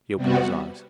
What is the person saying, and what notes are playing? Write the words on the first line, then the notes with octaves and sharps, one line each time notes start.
He opened his eyes.
C3 G3 B3 F#4